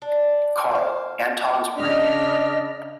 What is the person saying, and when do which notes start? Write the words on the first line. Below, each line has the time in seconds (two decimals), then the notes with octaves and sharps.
Karl - Anton's right-hand man.
0.02 D4
0.71 C5 F5
1.77 C#3 D4 D#5 F6 B6